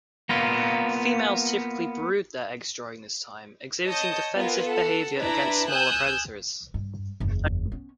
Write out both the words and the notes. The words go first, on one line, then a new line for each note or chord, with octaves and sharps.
Females typically brood their eggs during this time, exhibiting defensive behavior against smaller predators.
A#3 B3 F4
C#5 D#5 A5 D#6 G6
B3 F4 A#4 B4 G#5
A4 F#5
D4 E4 B4 A#5 B5
G#5 D#6 E6 F#6 G6
G2
F#1 E2
B3 C#4